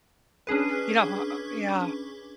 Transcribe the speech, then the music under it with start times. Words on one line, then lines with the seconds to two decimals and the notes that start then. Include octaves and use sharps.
you know, ho oh yeah.
0.47 C#4 D4 G#4 B4